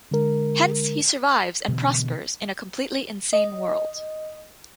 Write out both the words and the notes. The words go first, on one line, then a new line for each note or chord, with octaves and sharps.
Hence he survives and prospers in a completely insane world.
D3 G#3 A#4
B2 D3 E3
D#5